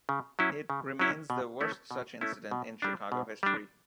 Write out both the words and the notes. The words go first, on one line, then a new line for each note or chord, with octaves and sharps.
It remains the worst such incident in Chicago history.
C#3
F#3 C#4 E4
C#3
F#3 C#4 E4
B2
A3 C#4 E4
B2
A3 C#4 E4
B2
G3 D4
B2
G3 D4